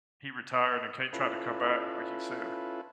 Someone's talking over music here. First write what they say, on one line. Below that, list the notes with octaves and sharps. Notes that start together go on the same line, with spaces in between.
he retired, and Kade tried to come back like you said.
C#4 E4 F4 A4 B4